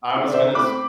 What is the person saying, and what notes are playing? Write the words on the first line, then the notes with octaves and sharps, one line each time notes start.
I was gonna s
C4 E4
D5
D3 C5 E5
A3 C4 E4 B5 D6